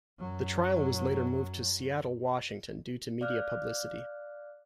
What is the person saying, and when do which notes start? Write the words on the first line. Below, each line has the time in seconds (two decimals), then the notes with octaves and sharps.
The trial was later moved to Seattle, Washington due to media publicity.
0.19 F#2 F#3
3.21 D5 F5 D6 F6 F#6